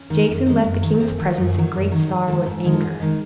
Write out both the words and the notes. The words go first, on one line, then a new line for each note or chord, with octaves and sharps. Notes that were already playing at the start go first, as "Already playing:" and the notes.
Jason left the king's presence in great sorrow and anger.
Already playing: C#4
D#3 G#3
F#2
D#3 G#3
F#2
D#3 F#3
F#2 C4
D#3 F#3 A3
F#2 A3
D#3 F#3
F#2
D#3 F#3
G#2 G#4
D#3 G#3 A4
G#2
D#3 G#3
A4
G#2 G#4
D#3 G#3